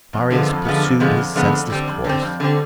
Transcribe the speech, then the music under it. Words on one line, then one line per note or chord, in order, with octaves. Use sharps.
Marius pursued his senseless course.
F2
D3 F3 G#3 B3
F2
D3 F3 G#3 B3
F2
D3 F3 G#3 B3
F2
D3 F3 G#3 B3
F2
D3 G3 C4
F2
D3 G3 C4
F2
D3 G3 C4